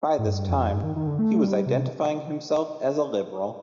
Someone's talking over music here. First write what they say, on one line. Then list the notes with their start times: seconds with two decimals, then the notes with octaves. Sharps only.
By this time, he was identifying himself as a Liberal.
0.19 A2
0.26 G2
0.49 F2
0.73 G2
0.83 D#3
0.96 D#3
1.07 D3
1.19 A3
1.43 G3
1.66 C3